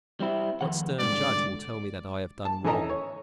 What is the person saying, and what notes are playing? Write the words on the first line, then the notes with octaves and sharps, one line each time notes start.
What stern judge will tell me that I have done wrong?
G3 C4 E4
F2 D#3 F#5
C2 G#2 D3 D5
A5
E3 C#4 A4 D#5 A#5
C#5